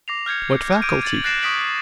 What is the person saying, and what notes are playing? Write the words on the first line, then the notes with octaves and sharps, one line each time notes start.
What faculty?
D6 A#6 C7 F7
F6 G6 G#6 C#7
D6 G6 D7 D#7
G#6 A6 F#7
F#6 A6 A#6 C7 D7 E7
C#6 D#6 B6 D7 F#7